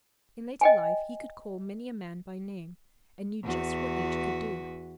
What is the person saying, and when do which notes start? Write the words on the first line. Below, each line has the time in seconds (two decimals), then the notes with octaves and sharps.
In later life he could call many a man by name, and knew just what each could do.
0.61 D#5 G5 G#5
3.44 E2 F#4 B4